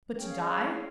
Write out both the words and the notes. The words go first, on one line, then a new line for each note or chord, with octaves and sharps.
But to die?
C#4 G#4 C#5 G5
F5
D#5
F5